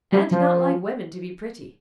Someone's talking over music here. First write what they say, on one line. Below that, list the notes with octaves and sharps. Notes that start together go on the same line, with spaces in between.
Anne did not like women to be pretty.
G3
F3